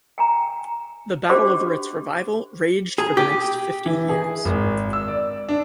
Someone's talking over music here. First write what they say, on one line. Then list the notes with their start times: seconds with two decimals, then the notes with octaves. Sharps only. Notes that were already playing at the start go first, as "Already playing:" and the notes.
The battle over its revival raged for the next fifty years.
0.18 G5 G#5 A#5
1.29 C#4 D4 F#4 G4 C5 D6
2.98 G#4
3.17 G4
3.86 E3
4.09 G#4
4.45 G#1
4.93 E6
5.08 D5
5.49 D4